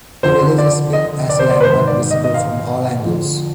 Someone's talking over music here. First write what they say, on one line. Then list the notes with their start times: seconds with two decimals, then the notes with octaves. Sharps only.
The village is built as a landmark visible from all angles.
0.23 F2 D3 F3 C5
0.58 D5
0.93 D#5
1.29 D5
1.39 C5
1.50 D5
1.60 B4
1.63 G#2 D#3 C5
1.87 D5
2.11 D#5
2.24 D#5
2.34 F5
3.04 F2 D3 F3